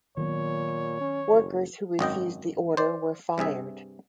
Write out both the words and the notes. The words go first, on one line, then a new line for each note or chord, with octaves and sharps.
Workers who refused the order were fired.
A#2 D#3 F#3 B3 C#5
C#4
F#1
G#1 F#2 D#5 G5
C5 D5
G2 C3 G#4 E5